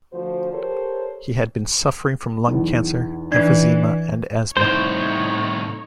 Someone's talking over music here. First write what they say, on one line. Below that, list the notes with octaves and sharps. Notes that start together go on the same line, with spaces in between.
He had been suffering from lung cancer, emphysema and asthma.
D2 F3 F#4 C5
G4 A4 A#4 C5 C#5
B1 E2
E3 D4 D5 G#6
C2 A2 D#4 C5 C#5